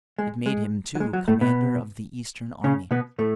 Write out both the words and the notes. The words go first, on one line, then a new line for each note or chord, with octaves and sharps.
It made him, too, commander of the Eastern army.
G#3
G#3
F#3
G#3
F#3
A2 A3
B2 B3
C#3 C#4
B2 B3
A2 A3